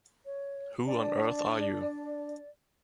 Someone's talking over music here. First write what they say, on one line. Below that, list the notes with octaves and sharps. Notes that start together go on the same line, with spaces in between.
Who on earth are you?
C#5
D4 D5